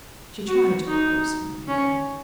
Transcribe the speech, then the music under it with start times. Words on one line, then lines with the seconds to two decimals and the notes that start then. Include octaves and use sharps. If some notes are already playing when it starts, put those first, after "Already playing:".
She tried to oppose him in vain.
0.48 F#4
0.87 D#4
1.67 C#4